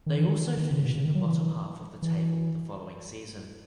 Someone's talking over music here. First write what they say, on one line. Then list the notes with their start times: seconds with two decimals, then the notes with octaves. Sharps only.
They also finished in the bottom half of the table the following season.
0.06 D#3
0.17 E3
0.28 D#3
0.57 D#3
0.71 C#3
0.85 B2
0.95 C#3
1.05 D#3
1.15 F#3
1.24 E3
2.02 E3